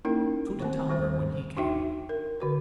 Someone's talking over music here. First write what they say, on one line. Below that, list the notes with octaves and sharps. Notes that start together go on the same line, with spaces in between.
So did Topper when he came.
A#3 C#4 D#4 E4 A#4 G5
D#3 A3 C4
D#3 G3 C5
D4 D#4 F#4 E5 G5
A#4
D3 F#4 B4